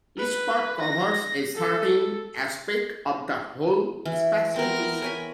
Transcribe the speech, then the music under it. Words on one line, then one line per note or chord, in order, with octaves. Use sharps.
Each part covers a certain aspect of the whole specification.
B4
A#6
A4
E3
B3 C4 A#4
C#5 G#5 B5